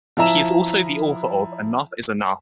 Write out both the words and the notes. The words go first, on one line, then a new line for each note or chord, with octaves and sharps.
He is also the author of Enough is enough!
F3 E4 E5 A#5 E7